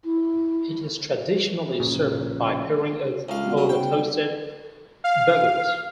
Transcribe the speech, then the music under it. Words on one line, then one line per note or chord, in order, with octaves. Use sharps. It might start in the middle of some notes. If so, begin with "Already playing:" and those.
It is traditionally served by pouring it over toasted baguette.
E4
A#1 A#2 C#3
C#2 F5
G3 B3 F#4
F#3
C#3 D#4 F#5 G5
F5